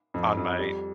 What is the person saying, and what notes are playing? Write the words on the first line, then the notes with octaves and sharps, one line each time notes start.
on my
F2
F2
G3